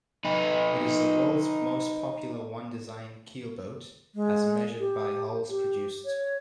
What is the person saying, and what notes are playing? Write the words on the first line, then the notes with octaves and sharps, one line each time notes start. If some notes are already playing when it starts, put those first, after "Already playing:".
It is the world's most popular One-Design keelboat as measured by hulls produced.
D#4 B4
G#3
G4
G4
C#5